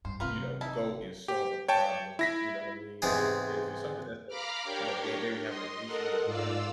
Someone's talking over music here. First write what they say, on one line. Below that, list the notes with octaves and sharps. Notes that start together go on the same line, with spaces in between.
you know, go and solve a problem, you know what I mean, like you said," if it's something that's uh," you know, if they're maybe having an issue at work,
G2 C5
G#1 C3 F4 A#4 B4
D#4 E4 A5
G4
C#5 G5 A5
E4 A#6 B6
E2 G#2 C3 G#3 G#4
F5 A#5 B5 D6 F6
D4 G4 A#4 C#5 G5
D#5 C6
A4 A#4 D#5 F#5
G#2 F4 D5 F5 E6